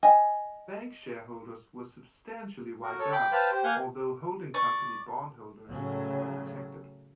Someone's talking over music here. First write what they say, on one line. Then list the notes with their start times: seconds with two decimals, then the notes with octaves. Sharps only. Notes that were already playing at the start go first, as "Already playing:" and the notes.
Bank shareholders were substantially wiped out, although holding-company bondholders were protected.
0.03 D#5 G#5
2.83 F#4 A#4
2.99 A4 C#5
3.12 G5 B5 D6
3.32 B4 C5 F5 G5 A5 B5
3.51 G4 C5
3.64 A#3 F5 F#5 G#5 G6
4.54 D5 C#6
5.68 A2 C#3 F#3